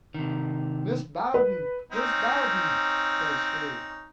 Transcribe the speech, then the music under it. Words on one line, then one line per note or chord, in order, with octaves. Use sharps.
'Mis' Bowden, Mis' Bowden!' says she.
C3 D#3
B4
C4 C#4 D#4